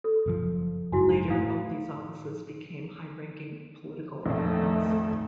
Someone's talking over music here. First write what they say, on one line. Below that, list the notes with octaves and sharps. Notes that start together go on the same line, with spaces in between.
Later, both these offices became high-ranking political appointments.
A4
F#1 B2 F3
F#1 G#2 E4 F#4 G#5
A2 E4 F5 D#6
A#1 F2 D#3 A3